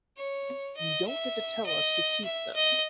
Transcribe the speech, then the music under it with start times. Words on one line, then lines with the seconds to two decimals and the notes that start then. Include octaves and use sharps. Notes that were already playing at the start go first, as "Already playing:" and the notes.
You don’t get to tell us to keep them.
0.18 C#5
0.76 D#5
1.07 E5
1.66 D#5
2.24 E5
2.55 D#5